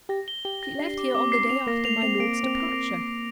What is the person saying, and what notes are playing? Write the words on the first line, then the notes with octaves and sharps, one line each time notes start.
"She left here on the day after my lord's departure."
G4 A#6
G7
G4 G7
A#6
D4 C7
D6
C4 D6
C7
C4 F7
A#3 A#6
A#3 F7
C4 F7
A#3 D7
D7
C4
A#6
C4
A#6